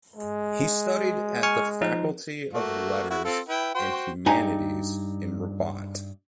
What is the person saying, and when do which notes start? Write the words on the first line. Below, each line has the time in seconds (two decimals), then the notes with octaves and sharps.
He studied at the Faculty of Letters and Humanities in Rabat.
0.16 G#3
1.43 G#5 C#6 F6
1.81 F3 D#4
2.53 A3 A#3 F#4
3.10 E4 F#4
3.25 C4 F4 A4
3.49 E4 B4 G5
3.75 F#4 C5 G5
4.26 G2 D#4 G#5 A#5